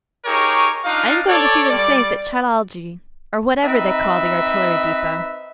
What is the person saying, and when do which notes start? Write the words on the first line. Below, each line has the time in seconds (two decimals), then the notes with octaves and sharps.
I am going to see them safe at Chataldja, or whatever they call the artillery depot.'
0.25 D#4 G4 G#4 A#4 C#5 C#6
0.85 D4 D#4 F4 F5
1.28 A4 C#5 D5
1.70 G3 D5
3.63 C4 D#4 B4 E5